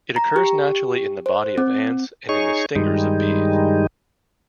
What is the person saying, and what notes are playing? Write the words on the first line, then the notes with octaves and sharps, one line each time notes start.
It occurs naturally in the body of ants and in the stingers of bees.
A#5
G4
C5
C4
D#4 G#4 C#5 C#6
G2 D#3 G3 G#3 D#4